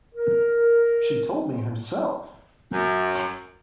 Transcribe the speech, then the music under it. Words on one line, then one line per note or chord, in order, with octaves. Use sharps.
She told me herself.
A#4
F#2